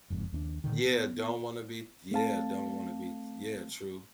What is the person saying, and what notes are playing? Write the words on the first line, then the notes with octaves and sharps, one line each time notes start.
Yeah, don't wanna be yeah, don't wanna be t yeah, true.
F#1 F2 G#2
D#2 C#4 D4
A#2 D3 D#3
B3
A3 C4 F5 A5